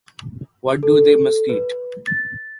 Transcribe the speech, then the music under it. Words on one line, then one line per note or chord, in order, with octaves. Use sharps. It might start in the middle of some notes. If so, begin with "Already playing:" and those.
What do they must eat?
A4
B4
A6